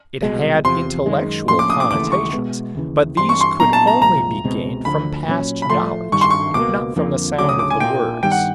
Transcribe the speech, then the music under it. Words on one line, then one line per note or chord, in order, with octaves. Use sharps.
It had intellectual connotations, but these could only be gained from past knowledge, not from the sound of the words.
C2 B2 G#3
E2 C3 F3 C6
F#2 D#3 G#3
A2 F3 A#3 C#4 C6
D6
D#6
D6
D#2 C#3 E3 A3 D6
C#6
B2 G#3 B3
D#2 C#3 E3
G2 E3 G3 C4 C6
C#6
C6
A#2 F#3 B3 D4 A#5
A5
A#5
C2 A#2 F3 G#3 A#5
C#2 B2 G#3 C4
D2 D3 F3 B5
A#2 F#3 A3 C#4
B5
A2 F3 A3 C6
G2 D#3 G3 C#6
C6
C#6
C#2 B2 F#3 A#3 D6
F2 D3 F3 A#3
D2 C#3 F#3 D6
D#6
D6
G#5
A#2 G3 A#3 G5
G2 D#3 G3 B3 G5
F#5